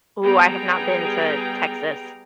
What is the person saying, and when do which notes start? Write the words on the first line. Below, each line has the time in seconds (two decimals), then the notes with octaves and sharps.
Ooh, I have not been to Texas.
0.24 G3 B3 G#4 G5 A#5